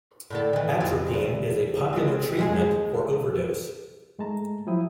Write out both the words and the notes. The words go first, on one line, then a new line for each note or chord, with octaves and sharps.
Atropine is a popular treatment for overdose.
A2 D3 A4
D#3 E3
F2 F4
E2
G#3 C4
D#2 G#3 G#4
G#2 G#3 A3 A5 A#5
F3 F#3 E4 G5 D#6